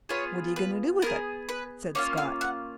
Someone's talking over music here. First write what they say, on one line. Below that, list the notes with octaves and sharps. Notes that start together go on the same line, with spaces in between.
'What are you going to do with it?' said Scott.
B3 F4 G#4 C#5
B4
B3 F4 G#4 A#4
B4
A#3 C#4 F4 C#5
F5
F#5